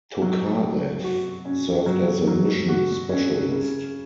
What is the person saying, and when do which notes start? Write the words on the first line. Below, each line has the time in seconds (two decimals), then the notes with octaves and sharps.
Tokarev served as a Mission Specialist.
0.22 F#3
0.63 F#3
1.04 F#4
1.45 C#4
1.86 F#3
2.28 F#3
2.68 F#4
3.10 C#4
3.51 C#3